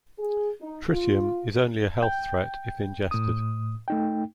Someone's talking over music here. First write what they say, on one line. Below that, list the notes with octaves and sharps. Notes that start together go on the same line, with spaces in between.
Tritium is only a health threat if ingested.
G#4
D#4
F4
G5 G6
A2 D#6
A3 D#4 G5